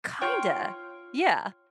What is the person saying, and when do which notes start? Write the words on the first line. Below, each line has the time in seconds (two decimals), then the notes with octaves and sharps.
Kinda. Yeah.
0.21 F4 C#5 G5